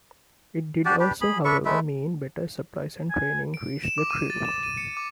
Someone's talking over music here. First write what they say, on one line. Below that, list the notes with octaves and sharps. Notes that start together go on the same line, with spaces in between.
It did also, however, mean better supplies and training reached the crew.
D4 F#4 G4 D5
D4 G4 B4
G#4 B5
D4 B4 E5 C#6
G#3 A3 B4 E5
G#5
D7
E7
D6
D#7
A6
E7
D#7
C#7
D6